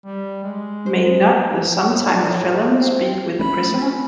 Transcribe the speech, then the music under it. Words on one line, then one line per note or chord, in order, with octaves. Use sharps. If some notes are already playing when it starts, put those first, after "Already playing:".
May not the sometime felon speak with a prisoner?
G3
G#3
C5
A2
D4
A2
C4
A3 C#4 B5